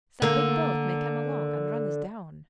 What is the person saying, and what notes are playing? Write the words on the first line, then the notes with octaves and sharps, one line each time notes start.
"Some big boat may come along and run us down."
D3 A#3